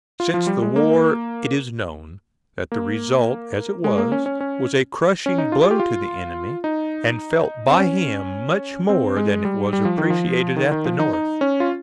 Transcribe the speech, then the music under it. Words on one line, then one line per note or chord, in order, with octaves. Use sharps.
Since the war it is known that the result, as it was, was a crushing blow to the enemy, and felt by him much more than it was appreciated at the North.
F4
F3
G3
G#3
A#3
A#3
G#3
A#3
C#4
C#4
C#4
C#4
D#4
F4
G#4
G4
F4
D#4
C4
C#4
C4
G#3
G3
G3
F3
D#3
F3
D#3
D#3
F3
D#4
D#4
C#4
F4